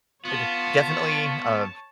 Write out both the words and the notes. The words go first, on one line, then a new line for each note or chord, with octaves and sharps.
eh, d definitely, uh,
B3 F4 C#5 A5